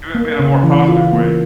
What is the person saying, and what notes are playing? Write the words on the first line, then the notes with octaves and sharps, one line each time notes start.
Do 'em in a more positive way.
A#3
C#3
E3
F4
A#3